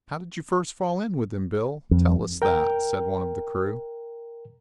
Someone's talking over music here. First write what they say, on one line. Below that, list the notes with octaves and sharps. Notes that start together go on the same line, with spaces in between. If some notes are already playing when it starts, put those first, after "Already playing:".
"How did you first fall in with him, Bill?--Tell us that," said one of the crew.
F2
A#4 G5